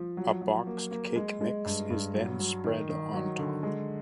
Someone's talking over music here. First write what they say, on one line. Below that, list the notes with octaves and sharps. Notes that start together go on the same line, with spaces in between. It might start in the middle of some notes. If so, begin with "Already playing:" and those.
A boxed cake mix is then spread on top.
Already playing: F3
F#3
F#3
A#3
A#3
G#3
G#3
G2
G2
F#3
F#3
D#3
D#3
F#3
D3
G#3